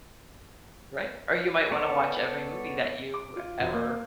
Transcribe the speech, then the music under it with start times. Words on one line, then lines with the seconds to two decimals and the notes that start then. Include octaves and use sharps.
Right, or you might wanna watch every movie that you ever
1.71 B3 A4 C#5 D5
3.14 D6
3.36 F4
3.60 E1
3.73 A#3